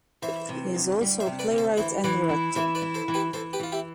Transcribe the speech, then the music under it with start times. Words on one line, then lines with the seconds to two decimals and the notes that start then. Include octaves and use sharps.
He is also a playwright and director.
0.22 E3 C5 E5
0.49 C3
0.75 D2
1.01 G3
1.20 C5 E5
1.26 C3
1.39 B4 D5
1.52 D2
1.58 A4 C5
1.77 E3 C5 E5
2.04 E3 B4 D5
2.29 E4
2.55 E3 C5 E5
2.75 B4 D5
2.82 E4
2.94 A4 C5
3.08 E3
3.14 G4 B4
3.33 E3 A4 C5
3.53 G4 B4
3.59 E3 F4
3.72 E4 G4